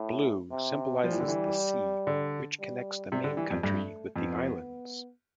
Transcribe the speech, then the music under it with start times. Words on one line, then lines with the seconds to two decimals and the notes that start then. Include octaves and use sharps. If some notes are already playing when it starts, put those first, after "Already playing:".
Blue symbolizes the sea, which connects the main country with the islands.
Already playing: A2
0.51 C3
1.03 F3 G3
1.11 E3
1.20 D3
1.28 E3
2.07 D3
2.59 G3
3.12 C3 G3
3.24 D3
3.37 E3
3.50 F2
3.63 G2 A3
4.16 F2 B3